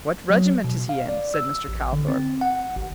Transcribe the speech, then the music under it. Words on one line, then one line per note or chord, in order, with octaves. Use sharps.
"What regiment is he in?" said Mr. Calthorp.
F#3
B2
F5
D5
E6
A1
D3
C4
F#5
G#1